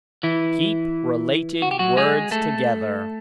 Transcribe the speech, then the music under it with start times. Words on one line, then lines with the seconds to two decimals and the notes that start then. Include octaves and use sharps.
Keep related words together.
0.23 E3 E4
1.62 F#4
1.71 G4
1.79 F#3 F#4
1.97 G#3 G#4
2.31 A3 A4